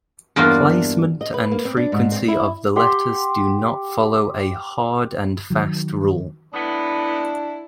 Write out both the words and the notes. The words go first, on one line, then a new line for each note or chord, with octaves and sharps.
Placement and frequency of the letters do not follow a hard-and-fast rule.
E2 G2 A#3 D4 F4 F#4
D#5
B4
A#3
C4
D4
G#2
C4
E4
G4 F#5 C6
D#3 F#3
A2 B3 D4 E4